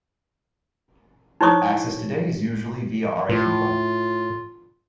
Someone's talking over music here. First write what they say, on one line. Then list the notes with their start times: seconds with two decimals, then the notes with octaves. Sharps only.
Access today is usually via Arequipa.
1.41 D#4 E4 C5 C#5 C#6 D#6
3.29 A2 F4